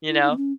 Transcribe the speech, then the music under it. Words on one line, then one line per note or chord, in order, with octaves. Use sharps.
you know?
E4
D#4
B3
C#4